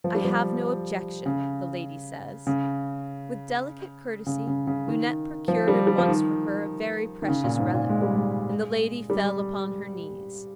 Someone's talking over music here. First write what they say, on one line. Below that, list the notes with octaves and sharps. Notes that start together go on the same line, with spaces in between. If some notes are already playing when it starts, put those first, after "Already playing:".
"I have no objection," the lady says. With delicate courtesy, Lunete procured at once for her a very precious relic, and the lady fell upon her knees.
F3
G3
F3
C#3
C#3
C#3
C#3
C#3
D#3
F3
G3
G3
F3
D#3
D#3
C#3
A#2
G#2
A#2
G#3
G3
G#3
G3